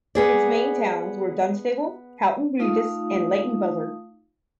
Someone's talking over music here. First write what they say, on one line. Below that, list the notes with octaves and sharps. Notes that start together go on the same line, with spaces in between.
Its main towns were Dunstable, Houghton Regis and Leighton Buzzard.
B3 G#4 D5
A3 D#4 F4 F5 D#6